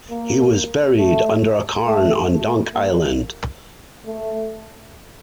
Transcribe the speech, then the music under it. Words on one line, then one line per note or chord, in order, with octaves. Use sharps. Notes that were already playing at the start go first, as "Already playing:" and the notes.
He was buried under a cairn on Dunk Island.
A#3
A3
A3
A3
A#3
A3